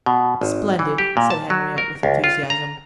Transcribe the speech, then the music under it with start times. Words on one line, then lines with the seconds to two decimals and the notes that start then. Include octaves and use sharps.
"Splendid!" said Henriette, with enthusiasm.
0.06 B2
0.41 G#1
0.79 E3
0.98 G4
1.17 A#2
1.30 A5
1.50 F#3
1.78 A#4
2.03 C#2
2.24 F4
2.50 A#5